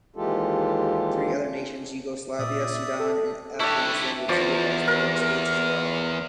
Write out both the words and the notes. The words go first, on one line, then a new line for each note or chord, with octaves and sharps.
Three other nations, Yugoslavia, Sudan, and Afghanistan, were treated as rogue states as well.
D#2 E3 G#3 F4 G4 A4
A#2 D5 E5 D#6
A4
A3 D4 E4 G4
E2 F3 D6
A#4